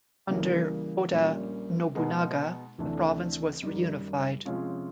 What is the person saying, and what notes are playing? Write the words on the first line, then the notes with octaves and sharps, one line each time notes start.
Under Oda Nobunaga, the province was reunified.
C#3 E3 G3 A#3
A#1 A#2 G3 A#3 C#4
B2 G#3 B3 D#4 G#4
D2 C3 E3 A3 D4
F#2 D#3 G3
C3 F3 G#3 C#4 F4